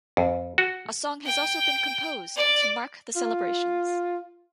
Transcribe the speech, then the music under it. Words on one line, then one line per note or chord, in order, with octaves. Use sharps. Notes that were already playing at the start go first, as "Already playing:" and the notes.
A song has also been composed to mark the celebrations.
F2
F#4
G5
D5
F4